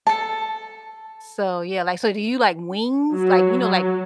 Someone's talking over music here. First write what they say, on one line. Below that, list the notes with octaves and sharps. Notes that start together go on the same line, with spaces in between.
So yeah, like, so do you like wings, like, you know, like,
A4 A5
F#3
F#3